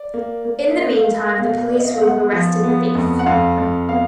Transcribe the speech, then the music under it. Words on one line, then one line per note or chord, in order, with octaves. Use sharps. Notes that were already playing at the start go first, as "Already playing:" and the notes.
In the meantime, the police will have arrested the thief.
Already playing: D5
A#3
A#3
A#3 D#5
F5
A#3
F5
B2 F5
A#3 D5
D#5
F5
B3 F#5
F3
B3
F2
F#5
F2 F5
F2
B3 F5